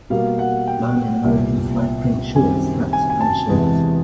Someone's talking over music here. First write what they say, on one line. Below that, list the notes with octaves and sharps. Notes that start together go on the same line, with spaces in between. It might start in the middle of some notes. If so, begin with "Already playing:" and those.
Man in American Flag print shorts, hat, and shirt.
B2 G3 A#3 F5
F#5
G5
C2 A#2 G3 B3
F#2 D#3 G3 C4 G#5
G#5
G#5
A5
E2 C3 E3 G#3